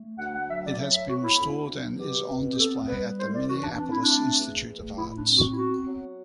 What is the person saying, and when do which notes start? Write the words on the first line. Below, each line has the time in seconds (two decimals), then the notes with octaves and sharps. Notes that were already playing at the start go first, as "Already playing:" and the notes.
It has been restored and is on display at the Minneapolis Institute of Arts.
Already playing: A3
0.18 D2 F#5
0.34 F#5
0.48 F#3 E5
0.64 D5
0.78 A2 E5
0.93 E5
1.08 B3 F#4
1.23 E4
1.38 D2
1.69 F#3
1.98 B2 G4
2.28 C4
2.53 G4
2.58 B3 A4
2.87 G3 B4
3.17 C2 C5
3.32 D5
3.47 E3 F#4
3.62 D4
3.77 C4 D4
3.90 E4
4.02 A3 D4
4.37 E2
4.67 A3
4.96 A2 E4
5.16 D4
5.27 C4
5.37 F#4
5.52 E4
5.56 B3 F#4
5.86 F#3